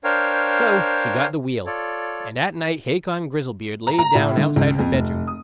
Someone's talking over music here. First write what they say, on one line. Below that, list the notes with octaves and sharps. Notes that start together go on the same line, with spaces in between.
So she got the wheel, and at night Hacon Grizzlebeard lay down outside her bedroom.
D4 A#4 C5 C#5 F5 G5
F4 A4 C#5 D5
A#5
A#5
A2
D3
C#2
F2
F1
D#6